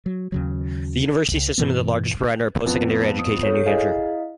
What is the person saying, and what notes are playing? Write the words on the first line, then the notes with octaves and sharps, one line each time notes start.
The University System is the largest provider of post-secondary education in New Hampshire.
F#3
D#2 C#3 F#3
C#2
G2 B2 E3 B3
F2 B3
D#6
A4 C#5
E4 G#4 D#5 F5